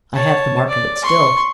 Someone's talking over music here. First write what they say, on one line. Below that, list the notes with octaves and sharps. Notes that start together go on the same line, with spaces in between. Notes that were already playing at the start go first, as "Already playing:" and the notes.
I have the mark of it still.
C#5 A5
D5
C6 C#6